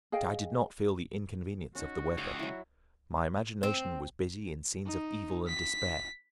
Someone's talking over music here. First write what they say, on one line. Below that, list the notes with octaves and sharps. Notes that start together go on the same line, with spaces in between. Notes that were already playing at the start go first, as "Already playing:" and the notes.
But I did not feel the inconvenience of the weather; my imagination was busy in scenes of evil and despair.
G#4 D#5 F5 G5
C#4 D#4 F#4
C#2 C#5 D5 G5
F#3 E4
C4
D#4
B6